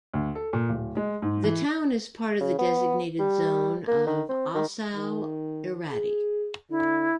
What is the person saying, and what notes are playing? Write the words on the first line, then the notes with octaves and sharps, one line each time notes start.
The town is part of the designated zone of Ossau-iraty.
D2
A4
A#2
D1
G#3
G#2
E3
C#3
B3
G3
A#3
D#3
C4
D#3
D#3
G#4
D3 E4